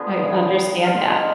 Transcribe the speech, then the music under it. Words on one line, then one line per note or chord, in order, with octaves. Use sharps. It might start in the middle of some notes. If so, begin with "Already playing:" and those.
I understand that.
Already playing: D3 F3 B3 G#4
B4
G#4
G4
B4
C5
F4
D3 G#3 C4 D4
D#4
D4